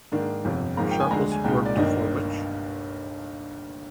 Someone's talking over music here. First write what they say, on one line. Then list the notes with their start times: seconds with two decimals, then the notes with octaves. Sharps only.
Sharples worked for Which?
0.12 G#2 D#3 A#3 D4
0.45 G1 F2 C3
0.77 G#1 G#2 F3 A#3 A#5
0.91 G5
1.00 G#5
1.10 D2 D3 G#3 D4 A#5
1.32 G#5
1.44 C2 A#2 G#3 D#4 G5
1.65 D5
1.76 G1 G2 D#3 A#3 D4 D#5